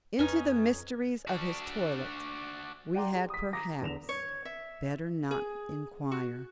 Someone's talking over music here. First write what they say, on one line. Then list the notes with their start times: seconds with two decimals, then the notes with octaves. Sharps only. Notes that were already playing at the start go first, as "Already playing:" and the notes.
Into the mysteries of his toilet we had perhaps better not inquire.
0.19 F2 C#4 D#4 B4 C#5 F6
1.27 D4 F#4
2.94 D5 F#5 G5 A#5 C6 D6
3.13 G4 G#4
3.30 D#6 B6
3.53 A#5 D6 D#6 A#6
3.82 E2 D3 E7 F7
4.09 C#5
4.45 E5
5.31 G#4
6.11 F#4